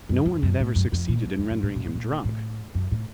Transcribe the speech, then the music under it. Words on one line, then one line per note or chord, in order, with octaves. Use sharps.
No one had ever succeeded in rendering him drunk.
F#2
F2
F#2
A2
F#2
F2
A#2
F2
F2
F#2
A2
A#2
A2
A#2
A2
F#2
A2